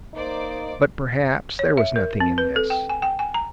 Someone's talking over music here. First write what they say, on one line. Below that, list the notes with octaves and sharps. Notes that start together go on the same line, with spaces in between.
But perhaps there was nothing in this.
A#3 D#4 C5 D5 D6
C#5
E5
A#4
C4
B4
A4
G5
G#5
G5
G#5
A#5